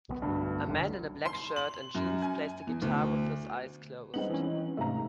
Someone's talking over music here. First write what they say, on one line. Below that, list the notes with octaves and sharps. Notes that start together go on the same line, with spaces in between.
A man in a black shirt and jeans plays the guitar with his eyes closed.
B1 G3 B3
D2 G2
D#1 A#1 F#2 D3
C6
F#7
F#2
G#5
E2
D2
G3 G#3 B3 C4 D#4 F#7
E3 C#4
G#2 C3 A3 E5 F5 A#5